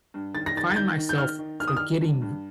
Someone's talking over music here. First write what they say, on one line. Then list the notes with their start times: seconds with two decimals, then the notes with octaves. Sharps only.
find myself forgetting v
0.14 G2
0.34 D#3 A6
0.46 A#6
0.56 D#3 A6
0.70 A6
0.76 D#3 G6
0.98 D#3
1.09 G6
1.18 D#3 F6
1.39 D#3
1.60 D#3 F6
1.68 D#6
1.77 F6
1.80 D#3
2.01 G2
2.22 G2